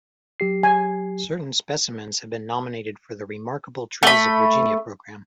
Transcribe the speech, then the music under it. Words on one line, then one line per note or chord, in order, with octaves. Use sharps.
Certain specimens have been nominated for the "Remarkable Trees of Virginia" program.
F#3 G4 C7
G#5
A3 B5